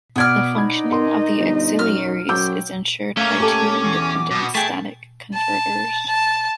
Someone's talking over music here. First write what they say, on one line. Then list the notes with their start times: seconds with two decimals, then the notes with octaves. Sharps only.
The functioning of the auxiliaries is ensured by two independent static converters.
0.16 B2 B3 D5 F6 G#6
0.55 D#4 D#5 B5 G#6
0.91 A#4 C6
1.39 G1
1.79 F#2 F6
2.29 F#2 G5 D6 E6 G6
3.17 A3 A#3 C#4 F5
3.40 G4 A4 D6
3.85 E2
4.31 B2 B3
4.55 A3 G#4 G5 A5
5.34 A5
6.07 A5